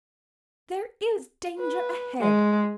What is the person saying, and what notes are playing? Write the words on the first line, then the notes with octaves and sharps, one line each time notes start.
There is danger ahead.
B4
G#3